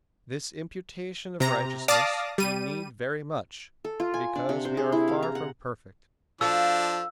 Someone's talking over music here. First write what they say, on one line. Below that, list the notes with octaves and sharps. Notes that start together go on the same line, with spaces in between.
This imputation of righteousness we need very much, because we are far from perfect.
C3 A#5
D5 F5 A5 D6 D#6 A#6
G3 D#7
A4
F4
G#5
D4
C3
C5
G#4
E4
F5
A#5
F#5
F3 D4 F4 F#4 A4 E6